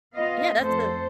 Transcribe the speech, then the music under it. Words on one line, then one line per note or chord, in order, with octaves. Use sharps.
Yeah, that's a
B3 F4 D#5 F5
F2 A3 A4 C5